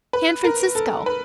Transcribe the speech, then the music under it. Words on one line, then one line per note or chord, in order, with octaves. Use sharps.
San Francisco!
B4
A#4
A4
B4